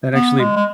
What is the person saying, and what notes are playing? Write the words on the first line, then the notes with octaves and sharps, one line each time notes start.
that actually
B3
G#3
G#3